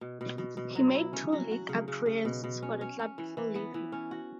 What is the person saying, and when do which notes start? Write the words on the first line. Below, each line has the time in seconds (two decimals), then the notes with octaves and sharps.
He made two league appearances for the club before leaving.
0.01 B2
0.21 B2
0.38 B2
0.57 B2
0.75 F#3
0.95 E4
1.13 C#4
1.32 F#3
1.51 F#4
1.69 C#3
1.88 C#3
2.06 C#3
2.25 B2
2.44 B2
2.62 C#4
2.81 C#4
2.99 C#4
3.18 E3
3.37 E3
3.55 B3
3.74 E3
3.92 C#4
4.11 F#4